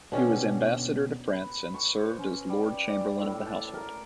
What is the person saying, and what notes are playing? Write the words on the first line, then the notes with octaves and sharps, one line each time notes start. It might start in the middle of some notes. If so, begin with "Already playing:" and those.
He was Ambassador to France and served as Lord Chamberlain of the Household.
B2 D3 C#4 G4
B4
C#6
C5
C#4
G3
D5
A2
A5
A#4